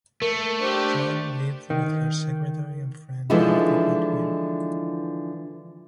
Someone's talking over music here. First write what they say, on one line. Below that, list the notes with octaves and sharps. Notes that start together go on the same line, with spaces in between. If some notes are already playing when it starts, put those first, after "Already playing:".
Jean lived with her secretary and friend Dorothy Goodwin.
A3 A#4
D4 G4 C5
D#3
D3 E3 F3 G#3 D#4 E4